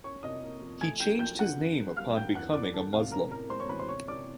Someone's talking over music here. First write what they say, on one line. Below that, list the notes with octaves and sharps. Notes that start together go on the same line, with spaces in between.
He changed his name upon becoming a Muslim.
C#4 C#5 C#6
C3 D#5 D#6
A#3
F3
A3 G#5 G#6
F#2 G5 G6
F3 G5 G6
D3 F#5 F#6
F#2
F#2
G3 F5 F6
D3 G5 G6
E2 F#5 F#6
E2 D5 D6
D#3 A4 A5
C3 F5
C#4 A#4 A#5
A2 A#4 A#5
G#3 C5 C6
C#5 C#6
E3 B4 B5
C5 C6
C3 C#5 C#6
C3 D5 D6